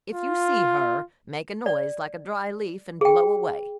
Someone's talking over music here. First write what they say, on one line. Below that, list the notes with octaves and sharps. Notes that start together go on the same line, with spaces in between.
If you see her, make a noise like a dry leaf and blow away.
F4
D5
G#4 G5